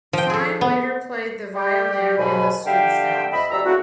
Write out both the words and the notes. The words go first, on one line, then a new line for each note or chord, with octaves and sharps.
Fine later played the violin in the Stooge films.
F3 G5
G#4 A4
B3
G3 G4
D#2 G#2 B2 F#3 G#5 B5
D3 G3 E5 F5 G5
F2 D#5 E5 B5
D2 G3 E5 A#5 E6
C#3 A3 C4 E4 F#4